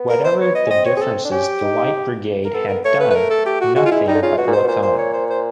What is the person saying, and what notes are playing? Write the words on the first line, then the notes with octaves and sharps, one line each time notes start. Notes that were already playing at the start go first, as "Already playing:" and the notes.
Whatever the differences the Light Brigade had done nothing but look on.
Already playing: B3
A#4
C5
C#5
D#5
C#4
C4 D#5
C#5
G#4
A4
D4
C#4 G4
D#4
D#4
A#4
B3 A4
A#4
A3 C#5
B4
B4
A#4
A4
G4
F#4
G#3 F#4
F4
G#3 E4
G3 D#4
D3
C#3 F4
B2 F#4
A#2
B2 C5
B2
A#2 C5
C5
C#5
C5
C5